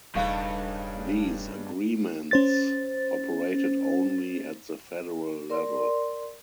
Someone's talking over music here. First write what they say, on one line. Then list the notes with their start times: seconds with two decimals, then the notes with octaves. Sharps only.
These agreements operated only at the federal level.
0.15 E1 G2 C#3 A3 D#4 F5 C#6
2.31 C#4 C5 A6
5.50 A#4 D5 C6